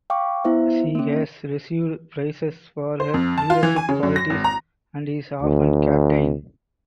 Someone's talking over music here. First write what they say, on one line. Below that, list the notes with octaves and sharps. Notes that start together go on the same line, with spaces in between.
She has received praise for her leadership qualities and is often captain.
F5 G5 C#6 D6
B3 E4 C5 E5
A#3 C#4
C5
F2
A5
F4
E3
G#5
C#3
F#2
A#6
G#1
A#5
D2